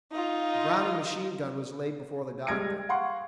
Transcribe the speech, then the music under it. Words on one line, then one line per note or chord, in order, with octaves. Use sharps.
The Browning machine-gun was laid before the doctor.
D#4 F4
G3 G#3 F6 G#6 A#6 D7
F5 F#5 C6 C#6